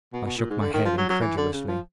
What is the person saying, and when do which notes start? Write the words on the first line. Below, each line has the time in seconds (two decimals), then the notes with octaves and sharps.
I shook my head incredulously.
0.13 B2
0.26 B2
0.37 A#2
0.50 G#2
0.61 D3
0.73 D#3
0.85 F3
0.97 F#3
1.09 F#3
1.21 E3
1.37 D3
1.53 C#3
1.68 F3